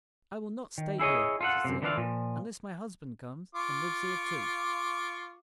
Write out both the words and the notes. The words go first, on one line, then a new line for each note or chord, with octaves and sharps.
"I will not stay here," she said, "unless my husband comes and lives here too."
D#3
E4 G#4 C#5 D#5
F4 A4 F#5
F#2 C3
D3 E3 A3 D4 F4 F5
A#2 F3
F4 C#6 D6